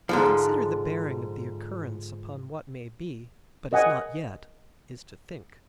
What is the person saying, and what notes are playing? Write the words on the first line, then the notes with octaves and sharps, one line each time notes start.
To consider the bearing of the occurrence upon what may be, but is not yet, is to think.
G#2 D3 F3
A#4 D#5 F#5 G#5